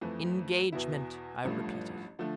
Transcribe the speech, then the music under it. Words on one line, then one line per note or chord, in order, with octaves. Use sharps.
"Engagement," I repeated.
F2 E3 A3
E2 B2 B3 E4
A1 G2 F3 A3
D3 F3 A3